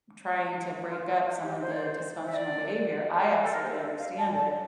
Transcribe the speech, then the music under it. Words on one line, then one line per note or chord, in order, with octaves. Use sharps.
trying to break up some of the dysfunctional behavior, I absolutely understand it.
F4
F4
F4
G4
C5
D5
C5
E5
D5
A4
A#4
C5
D5
E5
F5
A5
A5